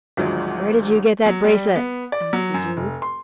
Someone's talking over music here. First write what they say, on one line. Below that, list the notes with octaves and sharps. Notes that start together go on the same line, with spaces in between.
'Where did you get that bracelet?' asked the Jew.
G#1 D2 F3 F#3 G#3
F#3
G3
B3
D5
F#3
F#2
F1
C6